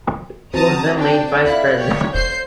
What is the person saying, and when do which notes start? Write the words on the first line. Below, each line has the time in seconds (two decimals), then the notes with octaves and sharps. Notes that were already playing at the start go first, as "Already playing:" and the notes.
He was then made vice president.
0.54 C4 F#4 C5 A5 A#5 D#6
0.96 D4 G5
1.45 E4 A4 D5 F5 F#6
1.79 G4 C#5
2.12 C5 G6 C7